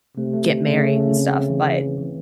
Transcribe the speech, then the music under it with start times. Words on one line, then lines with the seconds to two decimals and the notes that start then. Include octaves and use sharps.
get married and stuff, but,
0.17 C3 A3
0.33 A3
0.50 D3
0.66 C#3 A3
0.83 A3
1.00 A3
1.16 C4
1.32 C4
1.49 E3
1.65 E3
1.82 E3
1.98 E3